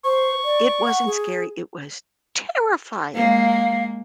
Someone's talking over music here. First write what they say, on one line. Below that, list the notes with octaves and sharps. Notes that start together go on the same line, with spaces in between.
It wasn't scary, it was terrifying.
C5 C#6
D5
F#5
G#4
G#3 A#3 F5